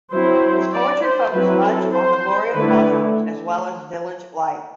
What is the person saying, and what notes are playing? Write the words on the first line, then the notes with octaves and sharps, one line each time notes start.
His poetry focused much on the glory of Muslims as well as village life.
F#3 C4 E4 C5
D5
C5
F#3 C4 E4 B4
A4
C5
D3 A3 E4 B4